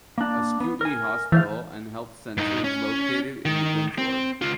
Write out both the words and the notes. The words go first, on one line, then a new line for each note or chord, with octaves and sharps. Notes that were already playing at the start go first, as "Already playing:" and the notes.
Ascutney Hospital and Health Center is located in Windsor.
A#3 D4
B3
A#4 G#5
E3 A3 C5 F5
G2 D#4
C#4
D#3
C4
C#2 F4